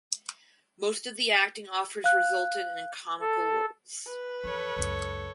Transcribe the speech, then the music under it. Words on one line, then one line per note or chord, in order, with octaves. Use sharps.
Most of the acting offers resulted in comical roles.
F5 F#6
A4
B4
F2 E3 A4 C#5
C#2 F#2